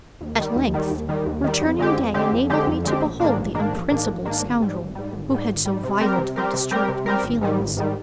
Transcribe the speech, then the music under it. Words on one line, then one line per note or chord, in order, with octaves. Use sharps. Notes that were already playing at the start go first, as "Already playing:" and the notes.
At length, returning Day enabled me to behold the unprincipled Scoundrel who had so violently disturbed my feelings.
D#2
D#3 G3
D#2
D#3 G3
D#2
D#3 G3
D#2
D#3 G3
F2
D3 G#3 C4 G4
F2
D3 G#3 C4 G4
F2
D3 G#3 C4 G4
F2
D3 G#3 C4 G4
A#1
G#2 D#3 A#3 D4
A#1
G#2 D#3 A#3 D4
A#1
G#2 D#3 A#3 D4
A#1
G#2 D#3 A#3 D4
G#1
G#2 G3
G#1
G#2 G3
G#1
G#2 G3
G#1
G#2 G3
C3
G3 C4 G4 A#4
C3
G3 C4 G4 A#4
C3
G3 C4 G4 A#4
C3
G3 C4 G4 A#4
G#1
G#2 D#3 G3
G#1
G#2 D#3 G3